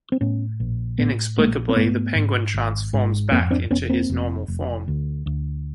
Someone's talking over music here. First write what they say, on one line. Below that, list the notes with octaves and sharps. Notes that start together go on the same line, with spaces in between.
Inexplicably the Penguin transforms back into his normal form.
C4
A2 B3 C#4
A#1
A2 A3 B3
A#1 G#3 A#3
C4
G#2 A3 B3
G#2
G#1
G#2
F2 A#3 C4
C4 D4
F1 B3 C#4
A#3 C4
F1
F1
D2
D2